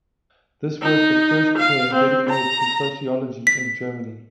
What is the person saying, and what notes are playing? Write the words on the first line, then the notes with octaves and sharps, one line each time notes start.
This was the first chair dedicated to Sociology in Germany.
D#4
F5
C4
A#5
B6